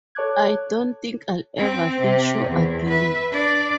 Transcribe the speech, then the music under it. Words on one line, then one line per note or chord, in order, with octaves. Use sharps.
I don't think I'll ever feel sure again.
A4 C#5 A5 D6 F#6 G#6
C4
C3
E2
B4 E5
D4 D5